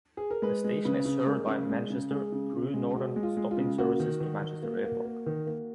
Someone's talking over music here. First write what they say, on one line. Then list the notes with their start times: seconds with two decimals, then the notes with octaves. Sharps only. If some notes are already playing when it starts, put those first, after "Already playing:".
The station is served by Manchester - Crewe Northern stopping services to Manchester Airport.
0.17 G#4
0.30 A#4
0.42 G#3 B4
0.64 G#3
0.85 C#3 B4
1.06 C#3
1.26 G#3 A#4
1.47 C#3
1.69 G#3
1.90 C#3
2.11 G#3 G#4
2.32 C#3
2.53 C#3
2.74 G#3
2.95 G#3 F#4
3.16 G#3
3.23 F4
3.37 G#3
3.51 F4
3.57 C#3
3.78 A#3 F#4
4.00 D#3
4.20 D#3
4.41 D#3
4.63 A#3
4.84 A#3
5.05 A#3
5.26 D#3
5.47 A#3